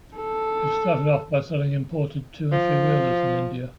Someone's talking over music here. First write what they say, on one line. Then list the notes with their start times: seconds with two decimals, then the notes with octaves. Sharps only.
It started off by selling imported two- and three-wheelers in India.
0.16 A4
2.52 F3